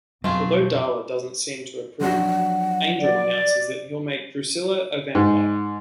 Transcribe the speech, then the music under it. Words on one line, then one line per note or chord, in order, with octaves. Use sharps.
Although Darla doesn't seem to approve, Angel announces that he'll make Drusilla a vampire.
F2 B2 F#3 A3 F4 G#4
F3 F#3 D4 F#5
D5
G#2